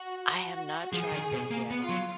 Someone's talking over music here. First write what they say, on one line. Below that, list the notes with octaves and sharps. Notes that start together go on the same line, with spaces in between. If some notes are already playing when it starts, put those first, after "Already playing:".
I have not tried them yet.
Already playing: F#4
F#4
F3 G#4
D#3
B2
A#3
B3
F4
F#3